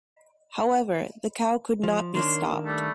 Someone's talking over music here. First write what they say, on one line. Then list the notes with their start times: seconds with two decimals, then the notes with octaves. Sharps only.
However, the cow could not be stopped.
1.83 F3
2.14 D#3 A#3 D4 C#5 C6
2.65 G3 A3